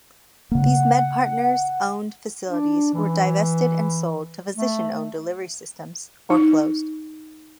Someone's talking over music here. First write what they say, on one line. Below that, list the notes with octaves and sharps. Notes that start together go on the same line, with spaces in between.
These MedPartners-owned facilities were divested and sold to physician-owned delivery systems or closed.
C#3 A#3 F#5
D4
E3
A3
D#4